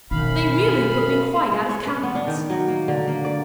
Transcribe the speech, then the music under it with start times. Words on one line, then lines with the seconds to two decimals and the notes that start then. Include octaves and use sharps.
They really put me quite out of countenance.
0.11 F#2 B2 D#3 F5 B5
1.52 G#3
1.69 C#5
1.87 B4
2.03 B3
2.15 D4
2.27 D#3
2.50 F#3
2.68 A#3
2.88 D3
3.07 A#3
3.25 D5